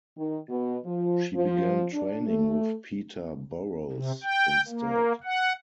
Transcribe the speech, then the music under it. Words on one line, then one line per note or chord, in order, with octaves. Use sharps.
She began training with Peter Burrows instead.
D#3
B2
F3
F3
D4
A3
C3
G5
A#3
F#5